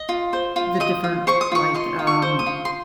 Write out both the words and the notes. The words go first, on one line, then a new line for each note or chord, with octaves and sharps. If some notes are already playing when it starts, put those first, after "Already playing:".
the different, like, um
Already playing: D#5
F4
C5
F4
D#5 D#6
F4
C5 C#6
D#6
F4 C#6
D#5 C6
F4
C#6
C5
D#6
F4
C6